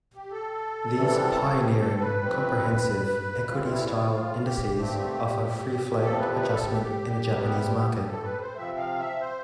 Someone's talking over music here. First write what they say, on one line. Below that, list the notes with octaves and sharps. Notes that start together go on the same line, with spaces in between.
These pioneering, comprehensive, equity style indices offer free-float adjustment in the Japanese market.
G4
A4
E2 C3 E3 G3
G4
A4
B4
F2 C3 G3 C4
A2 E3 G3 C4 F4
E4
F4
F4
G4
G2 D3 A3 C4 G4
E2 C3 F3 A4
B4
B4
A4
G4
C3 G3 B3
G4
A4
B4
C5
C3 F3 C4 E5
F5
E5
C5